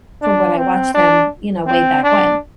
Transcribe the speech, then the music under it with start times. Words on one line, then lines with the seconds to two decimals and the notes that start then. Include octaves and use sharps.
from when I watched them, you know, way back when.
0.22 D4
0.57 C4
0.94 D4
1.67 C4
2.04 D4